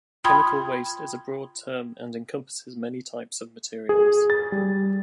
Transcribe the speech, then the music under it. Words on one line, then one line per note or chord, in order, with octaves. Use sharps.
Chemical waste is a broad term and encompasses many types of materials.
F4 G5 B5 C6 D#6 G#6
G#4
A6
G3